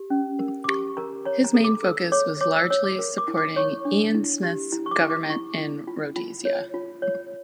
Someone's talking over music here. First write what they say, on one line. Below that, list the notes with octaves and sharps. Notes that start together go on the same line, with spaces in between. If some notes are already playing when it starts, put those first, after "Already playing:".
His main focus was largely supporting Ian Smith's government in Rhodesia.
Already playing: G4
C#4
A#4
D6
G4 C#6
A#4 A#5
C#5 A#5
A#5
A4
D6
A4 E6
C#5 D6
C#5 D6
E6
C#5 E6
D6
A#4
D6
E4
D6
C#5 C#6
D4
E4
G4
E4 A#5
C#6
D6
E4
D6
A#5
E4 C#6
E4
F4
F4
C#5
F4
C#5